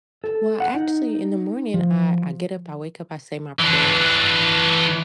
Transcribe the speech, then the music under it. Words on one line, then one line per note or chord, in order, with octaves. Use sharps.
Well, actually, in the morning, I I get up, I wake up, I say my prayers,
A4
F#5
D#4
F3
E3 D4